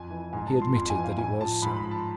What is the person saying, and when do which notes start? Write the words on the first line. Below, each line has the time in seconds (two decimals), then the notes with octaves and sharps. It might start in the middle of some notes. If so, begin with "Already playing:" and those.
He admitted that it was so.
Already playing: F2 G#5
0.10 E3
0.33 G#2 G#5
0.47 A5
0.54 F3
0.62 C6
0.75 F2 C6
0.90 G#5
0.97 E3
1.04 F5
1.18 A2 G#5
1.40 F3 A5
1.62 G#2 B5
1.76 B5
1.83 F3
1.91 A5